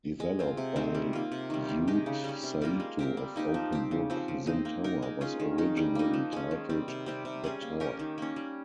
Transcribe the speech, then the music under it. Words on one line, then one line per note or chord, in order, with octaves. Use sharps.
Developed by Yoot Saito of OpenBook, "SimTower" was originally titled "The Tower".
G#3
C4 F4
C3
D#3 G#3 C4
G3
A#3 F4
C3
D#3 G3
D#3
G#3 D#4 G4
C#3
G3 C#4
C3
G3 A#3 F4
G#3
C4 G4 A#4
G3
A#3 D#4 G4
F3
C4 G4
C#3
F3 C4
C#3
G#3 C4 D#4
A#3
D#4 A#4
G#3
C#4 F4 G#4
D#3
G#3 D#4
G3
A#3 D#4
F3
G#3 C#4
D#3
G3 C4
C3
G3 C4 G4
C3
G3 C#4 G#4
A#3
C#4 G4 A#4
D#3
A#3 C#4
G3